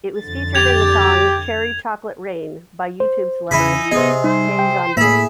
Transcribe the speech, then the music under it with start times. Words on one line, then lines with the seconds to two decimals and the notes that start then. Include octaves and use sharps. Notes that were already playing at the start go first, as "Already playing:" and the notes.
It was featured in the song "Cherry Chocolate Rain" by YouTube celebrity Tay Zonday.
0.19 F2 D3 A6
0.55 G4 G#6 F7
3.00 C5
3.51 E2 C#3 D#4 E4 G#5 B5
3.91 C3 B3 G#4 D#5
4.24 G3 D#4 C5
4.59 G5
4.97 A2 A#3 G#4 E5 B5